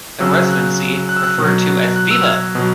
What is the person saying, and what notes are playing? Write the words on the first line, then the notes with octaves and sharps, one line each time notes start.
The residency, referred to as Viva!
C#3 F#3 E6
F#6
F#6
E6
F#6
B2 F#3
F#6
E6
G#6
B2 F#3